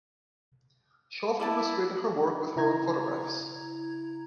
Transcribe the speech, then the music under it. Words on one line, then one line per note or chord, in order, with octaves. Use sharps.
She often illustrated her work with her own photographs.
E4 D5 A5
C#3 E4 A#5 G#6